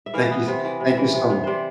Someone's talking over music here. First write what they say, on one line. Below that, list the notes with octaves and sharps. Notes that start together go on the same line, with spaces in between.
Thank you s thank you so much.
E5
E3 F5
B3
C3
E3
C3
E3
C3
C3
C3 C5 D5